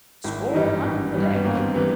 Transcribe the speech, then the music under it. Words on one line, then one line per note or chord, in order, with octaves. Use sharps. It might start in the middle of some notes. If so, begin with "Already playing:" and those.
Score one for Dick.
G#1 E4
E4
G2 E3 G3 D#4
G#1
G2 E3 G3
B3
G#1 A#3
C4
B3
E3 G3 B3